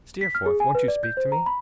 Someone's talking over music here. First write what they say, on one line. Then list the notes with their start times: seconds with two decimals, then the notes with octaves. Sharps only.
'Steerforth! won't you speak to me?'
0.21 B6
0.35 F6
0.46 G#4
0.60 G#5
0.75 B4
0.88 D5
1.03 G6
1.17 C5
1.32 A#5
1.46 B5